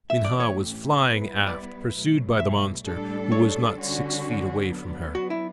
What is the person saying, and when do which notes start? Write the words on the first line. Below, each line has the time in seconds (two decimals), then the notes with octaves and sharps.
Minha was flying aft, pursued by the monster, who was not six feet away from her.
0.10 A2 E3 A3 C#4 G4 E5
0.25 D5
0.40 C#5
1.01 G3 B3 E4 B4
1.47 D5
1.94 B2 F#3 A3
2.39 E5
2.85 A2 G3 D4 A4
3.32 C#5
3.77 D3 G3 C#4 F#4
4.69 F#3 B3 D4
5.15 F#4
5.30 E4